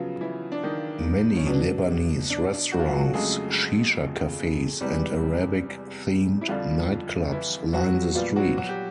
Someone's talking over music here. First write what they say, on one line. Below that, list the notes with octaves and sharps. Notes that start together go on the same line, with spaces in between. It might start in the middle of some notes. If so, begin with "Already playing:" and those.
Many Lebanese restaurants, "shisha" cafes and Arabic-themed nightclubs line the street.
Already playing: C#3 F3 F#3 B3 F4
E3 E4
D4
D#3 D#4
C#4
B2 F#3 B3 D4
D4
F#4
F4
F#3 F#4
F2 C#3 F#3 G#3 A3 G#4
E2 C3 E3 G3 G#3 B3 G4
E4
F2 D3 F3 G3 F4
E3 E4
F#3 F#4
A#2 F3 G3 B3 F4
F#3 F#4
F#3 F#4
G4